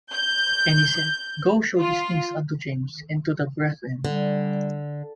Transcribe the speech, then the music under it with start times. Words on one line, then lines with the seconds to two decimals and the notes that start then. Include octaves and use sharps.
And he said, Go show these things unto James, and to the brethren.
0.11 G6
1.80 F4
4.05 D3 G3